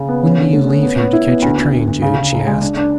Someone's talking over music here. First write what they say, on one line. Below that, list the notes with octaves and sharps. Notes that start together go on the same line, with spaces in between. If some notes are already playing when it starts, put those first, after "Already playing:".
"When do you leave here to catch your train, Jude?" she asked.
Already playing: C#3
B3
C#4
D3
A3
C#4
B3
B3
E4
B3
D2
D2
D2
D2
C#3
C#3
C#2
G#3
D4
D4